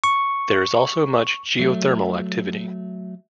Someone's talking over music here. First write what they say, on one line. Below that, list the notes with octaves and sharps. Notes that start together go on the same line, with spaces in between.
There is also much geothermal activity.
C#6
F#3 A3